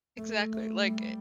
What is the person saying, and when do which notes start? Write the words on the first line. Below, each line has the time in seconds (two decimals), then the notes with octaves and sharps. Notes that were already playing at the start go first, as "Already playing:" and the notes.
Exactly. Like,
0.18 A3
0.53 A3
0.87 G3